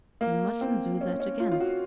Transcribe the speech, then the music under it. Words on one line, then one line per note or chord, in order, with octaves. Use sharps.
"You mustn't do that again."
A#3
C4
C#4
C#4
F4
F4
F#4